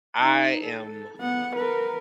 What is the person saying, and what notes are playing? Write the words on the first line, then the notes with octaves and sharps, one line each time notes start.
I am
D#4
A4
B3 F#5
A#4 B4